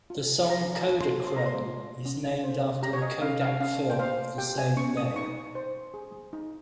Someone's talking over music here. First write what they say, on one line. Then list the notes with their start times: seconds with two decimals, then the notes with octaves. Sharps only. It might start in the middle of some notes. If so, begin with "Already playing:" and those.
The song "Kodachrome" is named after the Kodak film of the same name.
0.10 F4
0.49 C5 A#5
0.75 A#5
0.88 F4
1.01 C6
1.27 C5 C6
1.37 A#5
1.46 C6
1.66 F4
2.05 C#4
2.44 C5
2.83 G4 A#5
2.93 C#5
3.02 D#5
3.22 C#4 F5
3.41 F5
3.60 C#4 F5
3.90 G5
3.99 C5 F5
4.38 G4 G5
4.58 G#5
4.77 C#4 C#6
4.97 D#6
5.16 D#4 C#6
5.55 C5
5.94 G#4
6.33 D#4